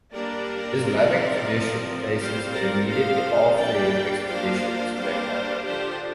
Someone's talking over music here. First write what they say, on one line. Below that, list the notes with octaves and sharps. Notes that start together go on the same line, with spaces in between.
Islamic tradition places it immediately after his expedition to Mecca.
G3 A#3 D4 A#4 D5
F3 C4
F3 C4
G3 C4 C5 F5
A#4 D5
D3 F3 C4 C5 F5
G3 A#3 D4 D5 G5
F3 A#3 D4 C5 F5
G3 A#3 D4 C5 F5
D3 F3 D4 G4 C5